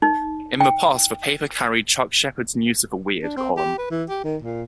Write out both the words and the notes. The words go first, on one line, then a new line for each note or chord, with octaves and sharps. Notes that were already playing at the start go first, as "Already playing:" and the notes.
In the past the paper carried Chuck Sheppard's News of the Weird column.
D#4
G5
D4
C4
G4
B4
E3
G4
D#3
A#2